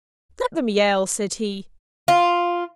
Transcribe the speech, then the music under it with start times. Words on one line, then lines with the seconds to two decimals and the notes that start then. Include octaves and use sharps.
'Let them yell!' said he.
2.08 F4